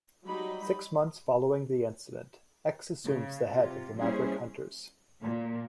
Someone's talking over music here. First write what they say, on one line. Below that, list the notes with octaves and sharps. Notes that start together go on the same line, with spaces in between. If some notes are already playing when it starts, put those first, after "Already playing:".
Six months following the incident, X assumes the head of the Maverick Hunters.
F#3 G3 D#4 B5
C#3
C3 F4
G3 A#3 C#4 E4 G#4 C5
A#2